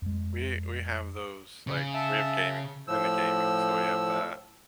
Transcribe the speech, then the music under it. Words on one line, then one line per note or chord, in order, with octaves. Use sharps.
we we have those, like, we have gaming; he's into gaming, so we have that.
F2 G#3
C#3
E5 A5
A2 F3 E6